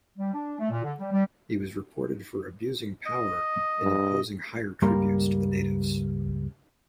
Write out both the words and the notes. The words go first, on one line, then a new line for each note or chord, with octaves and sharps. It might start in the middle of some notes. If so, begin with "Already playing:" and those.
He was reported for abusing power and imposing higher tributes to the natives.
G3
D4
A3
A#2
D3
G3
G3
D#5
G2
C#2 G2 G3 A#3 A#4 C6